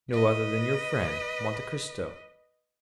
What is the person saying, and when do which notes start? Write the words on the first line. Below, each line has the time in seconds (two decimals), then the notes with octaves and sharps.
"No other than your friend, Monte Cristo."
0.10 B4 D#5